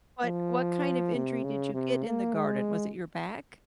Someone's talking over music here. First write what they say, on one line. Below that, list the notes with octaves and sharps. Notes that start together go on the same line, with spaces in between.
What what kind of injury did you get in the garden? Was it your back?
F3
C3
C#3
C3
A#3
G#3